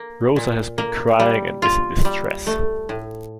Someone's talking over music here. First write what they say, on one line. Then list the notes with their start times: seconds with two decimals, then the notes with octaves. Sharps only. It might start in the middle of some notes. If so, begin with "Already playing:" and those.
Rosa has been crying and is in distress.
Already playing: A#3
0.36 A#2
0.78 A#3
1.20 G3
1.62 F4
2.05 G3
2.47 A3
2.89 A2